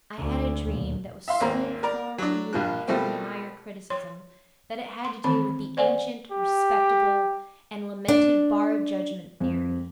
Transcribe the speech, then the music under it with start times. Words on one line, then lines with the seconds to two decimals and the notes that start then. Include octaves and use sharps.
I had a dream that was so far removed from the higher criticism that it had to do with the ancient, respectable, and lamented bar-of-judgment theory.
0.17 D2
0.66 A#1 D#2 B2
1.28 E5 F5 C6
1.40 G#1 D#2 A#3 C4 A#5
1.83 A#4 D5 A#5
2.18 F#3 D4
2.53 A#1 G2 F3 A#3 F#6
2.88 B2 F3 G3 A3 A#3 C4
3.90 C#5 C6
5.05 C6
5.24 D#3 E3 C4 B5
5.77 C5 D5 F#5 G#5
6.32 G4
8.08 D4
9.40 F2